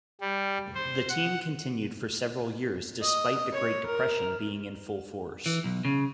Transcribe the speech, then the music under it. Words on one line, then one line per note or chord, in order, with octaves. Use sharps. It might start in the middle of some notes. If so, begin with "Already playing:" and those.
The team continued for several years despite the great depression being in full force.
G3
C5
F#5
D#5
C#5
A#4
E3
B1
C#3